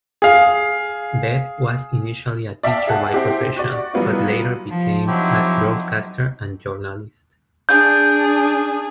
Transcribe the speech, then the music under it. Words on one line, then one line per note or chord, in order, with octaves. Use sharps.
Bebb was initially a teacher by profession, but later became a broadcaster and journalist.
G#4 F5
D5 E5 F5 G5 A5
G#4 F#5 A5
C4 E4 G4
F#4 D5
E3 F#3 G3 B3 F4
F3
F3 F#3 C4 D#4 E4 G4
D4 G#4 G6